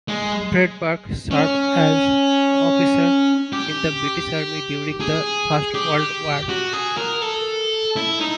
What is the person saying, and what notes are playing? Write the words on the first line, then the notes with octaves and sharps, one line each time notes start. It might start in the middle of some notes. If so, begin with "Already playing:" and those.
Freyberg served as an officer in the British Army during the First World War.
G#3
C#4
G4
G#4
G4
F#4
G#4
A#4
A4
E4
D#4